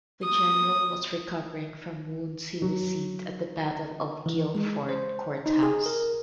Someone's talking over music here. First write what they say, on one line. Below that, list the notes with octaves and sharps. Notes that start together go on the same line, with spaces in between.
The general was recovering from wounds he received at the Battle of Guilford Courthouse.
D#6
F#3
E3
G#3
C5
D#4
G#4
A#4